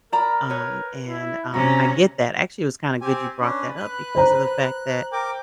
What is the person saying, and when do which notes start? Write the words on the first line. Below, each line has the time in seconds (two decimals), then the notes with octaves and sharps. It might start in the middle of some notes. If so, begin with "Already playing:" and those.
um, and um, I get that actually, it was kinda good you brought that up because of the fact that
0.12 A#4 D5 A#5 B5
0.50 B4 C#5
1.07 E4
1.54 C3 C#4 F#4 A#5
3.01 C4 G4 G#5
3.41 C#4 D4 B4
3.77 F#6
4.15 C5 A#5
5.12 A#4 G5 D6